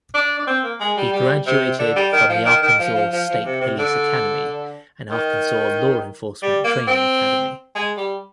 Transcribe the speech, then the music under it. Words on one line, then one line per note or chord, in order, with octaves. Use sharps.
He graduated from the Arkansas State Police Academy and Arkansas Law Enforcement Training Academy.
D4
D4
C4
A#3
G#3
G3
G3
C3
D3
G3
D#3
F3
D#3
D#3
F3
F3
F3
F3
C3
C3
D3
D#3
G3
A#3
C4
G#3
G3